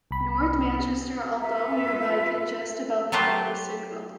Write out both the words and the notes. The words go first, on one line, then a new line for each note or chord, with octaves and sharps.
North Manchester, although nearby, can just about pick up the signal.
C2 B5
F4 A4 B4 E5
F#3 A3 F4 G4 B4 C5